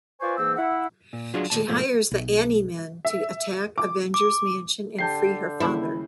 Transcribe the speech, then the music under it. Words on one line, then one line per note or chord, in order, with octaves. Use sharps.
She hires the Ani-Men to attack Avengers Mansion and free her father.
F4 B4 C5 D5 G#5 C#6
G#2 E3 A#3 C4 E6
E4 E5 F#5
A#2
F#3 D4 F4 F#4 G#4
D#2 A#2 A5
G#2 B2 F3 A3 A#3
B1
E5
D6
D6
D3 G4 A5 G6 C7
D#2 C#3 E4